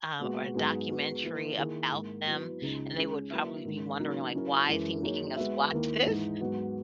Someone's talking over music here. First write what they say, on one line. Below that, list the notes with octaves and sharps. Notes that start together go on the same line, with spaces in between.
um, or documentary about them. And they would probably be wondering like, "Why is he making us watch this?"
A#2 G#3 B3 F#4
G#2 F#3 B3 D#4 G#4
G#3 B3 F#4 B4
E3 A#3 E4 B4
D#3 A#3 E4 G#4
G#2 D#3 A#3
F#3 B3 E4 B4
C#2 C#3 G#3 D#4
C#3 G#3 C#4 G#4
F#3 A#3 E4 B4 E5
G#2 D#3 G#3 D#4
C#3 F#3 A#3 D#4 A#4
F#3 C#4 E4 A#4
F#2 E3 G#3
F#3 A#3 D#4 G#4 C#5
G#3 B3 F#4 B4 E5
D#2 D#3 A#3 E4
G#2 E3 G#3 D#4
G#2 F#3 B3 F#4